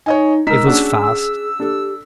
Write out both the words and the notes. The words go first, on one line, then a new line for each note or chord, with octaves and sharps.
It was fast.
D#4 C#5 D#5 G#5
G#3 D#4 A#4 E6 B6
C#4 D4 F#4 G#4
D4 G4 A4